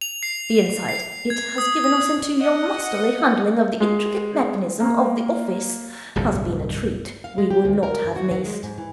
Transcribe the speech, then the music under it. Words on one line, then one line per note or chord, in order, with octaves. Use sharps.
The insight it has given us into your masterly handling of the intricate mechanism of the office has been a treat we would not have missed.
F7
C7
C7
G#6
D#6
D#6
D#5 F#5
G#3
A#3
D1 G1 C2 F2
F5
G#3
G4
D2
A#4
G2
F#4
F#3
G#3
G#2
E3